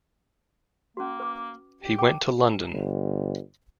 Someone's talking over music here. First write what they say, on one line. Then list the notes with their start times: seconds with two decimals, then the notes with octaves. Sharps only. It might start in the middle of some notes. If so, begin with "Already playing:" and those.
He went to London.
0.97 A#3 C#4 F#4
1.20 B4 D6
1.83 G4
1.98 G5 D6
2.73 G1